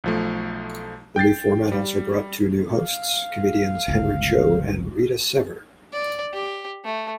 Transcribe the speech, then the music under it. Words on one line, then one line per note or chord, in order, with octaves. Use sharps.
The new format also brought two new hosts: comedians Henry Cho and Rita Sever.
B1 F3 A3
G5 G6 A6 C7
G3
F5
G1 C#2
D5
G4
A3